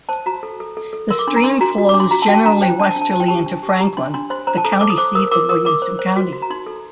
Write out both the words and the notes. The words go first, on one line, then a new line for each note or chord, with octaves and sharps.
The stream flows generally westerly into Franklin, the county seat of Williamson County.
C5 A5
F#4 A#5
A4
A4
A4
A4
A#4 C6
D6
D4 C6
A#5
D4 C6
F#4 A#5
F#4
D6
D4
C6
F#4 A#5
A5
F#4 G5
A5
D4 A#5
C5 G5
D4 A5
A5
D4
A5
C5 A5
G5
G4 A5
D4
G4
A5
G4 A#5
D4 C6
D4 C6
C5 C6
C5 A#5
A5
A4 A#5
A4 D6
D#6
C5 D6
A#4 D#6
A#4 D6
A#4 D#6
A#4 D6
C5
C5
F#4
F#4
A#5
D#4 C6
A4